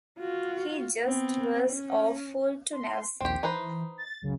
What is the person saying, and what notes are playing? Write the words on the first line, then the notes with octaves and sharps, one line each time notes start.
He just was awful to Nelson.
F4 F#4
B3 C4
C#4
C6
A#1 D#2 C4 G4 C6
E3 D#4 B4 C5
A6
C#2 F#2 C#3